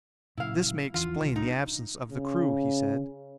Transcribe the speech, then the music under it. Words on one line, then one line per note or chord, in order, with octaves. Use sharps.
"This may explain the absence of the crew," he said.
A#2 C#3 F#3 E4 F5
E2 E3 F3 F4
C2
D#4
C#3